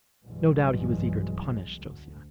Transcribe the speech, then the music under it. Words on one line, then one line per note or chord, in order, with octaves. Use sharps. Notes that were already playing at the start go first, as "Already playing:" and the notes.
No doubt he was eager to punish Josiana.
B1 G2 B2 E3 F#3 G#3
D2